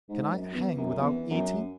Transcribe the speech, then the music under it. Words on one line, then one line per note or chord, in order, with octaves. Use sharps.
Can I hang without eating?
G#2
F#2
E2
F#2
F#2
E2
F#2